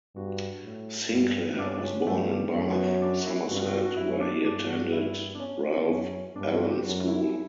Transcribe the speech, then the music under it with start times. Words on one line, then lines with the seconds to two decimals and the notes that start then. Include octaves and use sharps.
Sinclair was born in Bath, Somerset, where he attended Ralph Allen School.
0.16 G2 F#4
0.64 A2
1.11 G2
1.59 G2 D4
1.67 C#4
1.73 D4
1.83 C#4
2.07 G2 A3
2.30 G3
2.54 F#2 A3
2.71 B3
2.86 C#4
3.02 D4
3.21 F#4
3.26 E4
3.49 G2 F#4
3.66 F#4
3.82 F#4
3.97 F#2 E4
4.11 C#4
4.21 D4
4.45 G2 D4
4.69 F#4
4.92 E4
5.35 D4
5.40 C#4
5.88 F#2 C#4
6.36 G2 D4
6.47 E4
6.60 F#4
6.71 G4
6.83 F#2 F#4
7.08 E4